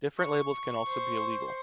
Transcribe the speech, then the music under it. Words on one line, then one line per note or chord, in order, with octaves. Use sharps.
Different labels can also be illegal.
C#6
C5